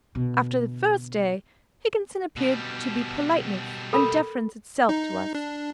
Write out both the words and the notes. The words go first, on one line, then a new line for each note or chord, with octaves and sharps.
After the first day, Higginson appeared to be politeness and deference itself to us.
B2 D3
B2 G3
A4 A#4 B5
D#4
D4